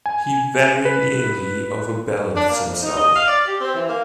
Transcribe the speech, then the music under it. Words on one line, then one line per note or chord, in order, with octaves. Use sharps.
He very nearly overbalanced himself.
G#5
B4
D4
A#3
F2
D#4
D#5
F5
D5
G4
C4
E3
A#3